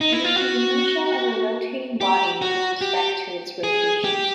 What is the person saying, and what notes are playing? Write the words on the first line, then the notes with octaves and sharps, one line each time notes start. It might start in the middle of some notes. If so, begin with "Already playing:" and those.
It is the inertia of a rotating body with respect to its rotation.
D#4
E4
F4
F#4
G4
F#4
G4
G#4
G4